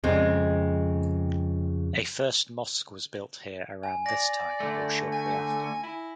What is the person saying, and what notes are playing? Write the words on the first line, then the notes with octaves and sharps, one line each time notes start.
A first mosque was built here around this time or shortly after.
F2 C#3 G#3 C4
G#5
D5 A#6
D3 A3
G#5
E4